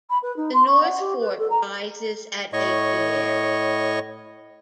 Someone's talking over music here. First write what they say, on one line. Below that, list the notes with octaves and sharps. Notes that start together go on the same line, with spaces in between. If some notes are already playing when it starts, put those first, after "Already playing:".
The North Fork rises at Apiary.
B5
B4
D#4
C6
C#6
F#5
G4
B4
A4
A#5
A2 C#5 D#5 C#6